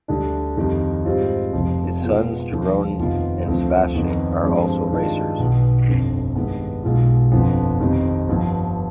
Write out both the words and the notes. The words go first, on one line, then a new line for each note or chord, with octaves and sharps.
His sons Jeroen and Sebastiaan, are also racers.
D2 D3 G3 D4
F2 D#3 G3
G#2 G3 C4 F4
F1 F2 C3 F3
B2 G#3 B3 F4
D#2 D3 F3
F1 F2 D#3 B3 F4
D2 D3 F3 C4 F4
F2 D#3 B3
G2 D3 F3 G#3 C4
G2 D#3 G#3 D4 F4
B1 B2 B3
G1 F2 D3
G2 D#3 G#3 B3
B1 B2 G#3 B3 F4
G1 F2 D3 F3 B3
F2 C3 D#3
G1 G2 F3 B3